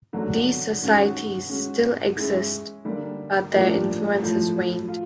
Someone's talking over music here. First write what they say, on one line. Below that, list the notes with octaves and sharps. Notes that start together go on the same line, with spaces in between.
These societies still exist, but their influence has waned.
D3 F#3 A3 D4 F#4
D#3 G#3 C#4 F#4
G#3 C#4 F#4
G#3 C#4 E4 G#4
D3 G3 A#3 D4
A2 F3 A#3 D4 G4
A2 F3 A3
F4